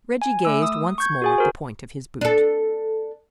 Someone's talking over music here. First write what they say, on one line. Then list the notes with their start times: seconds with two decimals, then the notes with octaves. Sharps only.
Reggie gazed once more at the point of his boot.
0.22 G#5
0.45 A3 E6
0.62 D#6
0.98 C#6 G6 G#6
1.22 F#4 G#4 G#5
1.38 F#4 A#4 C5
2.21 D4 A4